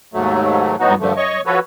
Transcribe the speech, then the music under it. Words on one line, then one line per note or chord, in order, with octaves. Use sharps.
And, um
D#2 G#2 F#3 A3
A2 F#3 B3 D#4 F#4
D3 F3 A3
C#5 D#5 C#6
F3 F#4 A4 B4 C#5